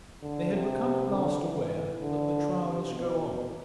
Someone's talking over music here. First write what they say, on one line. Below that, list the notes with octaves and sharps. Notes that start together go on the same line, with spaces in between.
They had become at last aware that the trial must go on.
D3
C3
D3
E3
D3
C3
B2